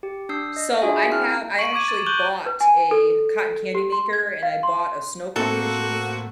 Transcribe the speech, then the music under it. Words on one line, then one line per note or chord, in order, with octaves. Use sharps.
So, I have I actually bought a cotton candy maker, and I bought a snow cone machine,
G4
D4 D#6 E6 G6 C7
D#5
D4 F4 F#4 G#4 E5 G#5
C4 E4 A5 F6 F#6
C#6 D7 F#7
C#6 D6 G#6 D#7
A6
C#6 F#6 G6 F#7 G7
B4
G#5
A4
G4
C6
G#6
F5
C6
A2 A#3 C4 F#4 A4